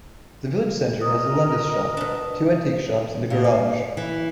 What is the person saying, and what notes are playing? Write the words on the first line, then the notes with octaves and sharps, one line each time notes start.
The village centre has a Londis shop, two antiques shops and a garage.
A#4 D#5 D#6
B2 D4
A#2
A#3
E3